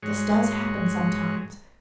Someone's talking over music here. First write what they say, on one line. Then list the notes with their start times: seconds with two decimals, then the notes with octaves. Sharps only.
This does happen sometimes.
0.03 G#2 G#3 F#4 C#5